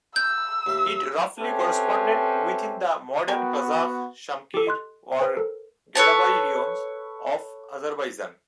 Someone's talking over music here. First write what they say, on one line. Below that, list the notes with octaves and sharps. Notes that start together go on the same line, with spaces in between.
It roughly corresponded within the modern Qazakh, Shamkir or Gadabay raions of Azerbaijan.
E6 G6
D#2 E5
C4 C#4 G4 A4 B4 E5
B3 F#4 A#4 G5 G#5
G4 A4
D#5 C6 F#6
B4 C5 G5 G#5
A4 A#4
A4 B4 C#5 A5